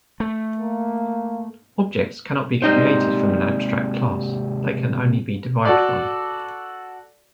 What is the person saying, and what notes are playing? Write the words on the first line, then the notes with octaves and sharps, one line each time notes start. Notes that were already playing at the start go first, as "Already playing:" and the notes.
Objects cannot be created from an abstract class; they can only be derived from.
A3
A#3
G#2 C3 G3 D#4 C5
F#4 A4 D5